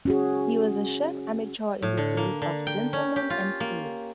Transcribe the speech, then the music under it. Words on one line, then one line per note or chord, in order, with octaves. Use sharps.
He was a sham amateur in the days of gentlemen and players.
C#4 F#4 G#4
A2
D3
A#3
D3
G5
C#4
G4
F4
A#3